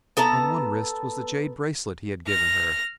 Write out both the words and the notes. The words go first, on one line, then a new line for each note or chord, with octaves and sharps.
On one wrist was the jade bracelet he had given her.
B3 A4 A5 A#5
F6 A#6